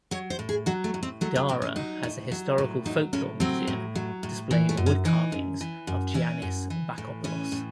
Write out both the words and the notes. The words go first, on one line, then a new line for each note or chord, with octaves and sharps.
Dara has a historical folklore museum displaying the woodcarvings of Giannis Bakopoulos.
F#3 C#5
C5
A2
G#4
F#3 F#4
A3
A2
C4
F#3 A3
A3
A2 C4
C#4
F#3 D#4
A2
F#3
A2
F#3 D#4
A2 C#4
F#3 C4
A2
F#3
A2
E3
A3
F#2
C#4
E3 D#4
F#2
E3
F#2
E3 C#4
F#2
E3
A2
E3 C#4
A2